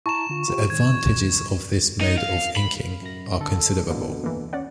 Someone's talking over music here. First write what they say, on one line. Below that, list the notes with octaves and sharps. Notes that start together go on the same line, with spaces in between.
The advantages of this mode of inking are considerable.
E4 A5 A#5 C#6 E7
D3 F4
F4 G4
A2 D#3 G#6
D#4
F5
B5
F#2 A#6
D3 A4
D2 B2 D3 E3 A#3
E3 A#3
C#4 D5 F#5